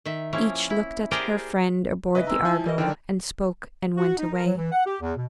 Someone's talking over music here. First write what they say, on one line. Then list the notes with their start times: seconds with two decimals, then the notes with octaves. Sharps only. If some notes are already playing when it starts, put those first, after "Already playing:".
Each looked at her friend aboard the Argo, and spoke, and went away.
0.05 D#3 E5
0.33 F3 A#3 C#4 E4
0.70 E4
1.11 G4 G#4 A#4 C5 D5 G5
2.15 C#3 B4 D#5 E5
2.27 G#3 C4 D#4 E6
2.45 F3 E4 E5 G#5 A5
2.65 G3 A#4 D#5
2.78 D3 D#3 A#4 D5 G5
3.97 F#4
4.18 D#4
4.32 A#4
4.45 F#3
4.57 E3
4.72 F#5
4.86 G4
5.00 E2
5.16 B2